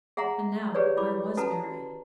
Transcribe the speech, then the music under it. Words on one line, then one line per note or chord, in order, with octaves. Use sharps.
And now, where was Mary?
G#4 E5 F#5 A#5 C6
G4 G#4 B4 C#5 D5
E4 B5 D6
C#4 F#4 A4 B4 A5 A#5
F#4